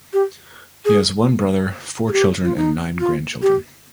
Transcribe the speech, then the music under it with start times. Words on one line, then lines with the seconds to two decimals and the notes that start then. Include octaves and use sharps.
He has one brother, four children and nine grandchildren.
0.13 G4
0.85 G#4
2.08 G#4
2.13 G4
2.44 F4
2.57 D#4
2.99 F4
3.42 G4